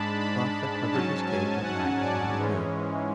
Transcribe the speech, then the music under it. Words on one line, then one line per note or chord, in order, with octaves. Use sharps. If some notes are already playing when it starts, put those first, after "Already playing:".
The cloth that covered his cage at night was not removed.
Already playing: G#2 G#3 D4 A5 B5
B5
G#2 F#3 C#4 A5
G#5
F#5
D5
G#2 E3 G#3 C#4